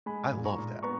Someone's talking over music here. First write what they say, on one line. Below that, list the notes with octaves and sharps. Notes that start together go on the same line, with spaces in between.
I love that.
G#3 G#5 B5
A#2
A#5 C#6
A#2
B3 A#5 C#6